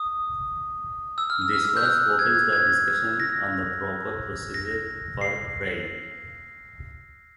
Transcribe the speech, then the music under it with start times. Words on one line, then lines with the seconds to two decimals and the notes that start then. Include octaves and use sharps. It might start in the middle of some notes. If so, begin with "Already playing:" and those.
This verse opens the discussion on the proper procedure for praying.
Already playing: D#6
1.18 E6
1.30 F6
1.41 E6
1.53 F6
1.65 E6
1.77 G6
1.85 F#6
2.19 G#6
2.53 G#6
3.20 A#6
4.54 A#6
5.21 C7